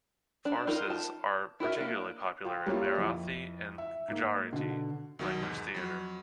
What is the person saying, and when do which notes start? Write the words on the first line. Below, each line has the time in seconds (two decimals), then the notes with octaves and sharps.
Farces are particularly popular in Marathi and Gujarati language theatre.
0.45 D4
0.67 D#4 F4 A#4
0.90 A5
1.60 E4 F#4 A#4 E5
1.78 A#3 D4
2.45 F4 G5
2.66 G3 A#3 C#4 E4 F4
2.98 F2 E4
3.78 E5
4.08 G#2 A#3
4.53 B2 D3
5.19 C2 B2 D#3 F#3
5.42 E2 G#2
5.74 F2 F#3